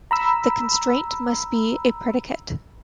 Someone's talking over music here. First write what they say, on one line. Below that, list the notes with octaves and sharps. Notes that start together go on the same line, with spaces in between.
The constraint must be a predicate.
A#5 B5 E6